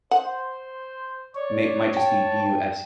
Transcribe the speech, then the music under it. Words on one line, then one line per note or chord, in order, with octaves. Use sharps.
May might just be B-U-S
C5 F#5
C#5 D5
G5 A5